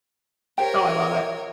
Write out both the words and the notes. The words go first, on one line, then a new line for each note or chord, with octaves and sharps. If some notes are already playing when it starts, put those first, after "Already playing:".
Oh, I love it.
G4 A#4 C5 C#5 G5